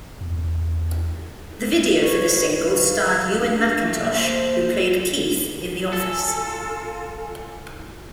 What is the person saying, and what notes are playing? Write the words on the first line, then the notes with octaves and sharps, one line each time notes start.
The video for the single starred Ewen Macintosh, who played Keith in "The Office".
E2
B4 C#5
F5
D4
A3 A#3
C5
F4 A4 G#5